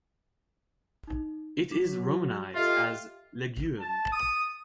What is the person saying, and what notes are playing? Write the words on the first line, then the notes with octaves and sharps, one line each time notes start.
It is Romanized as "Lugeum".
D#4
F#3 D6 B6
F#4
F4 G4 A4 D#5 E5
A5
D#6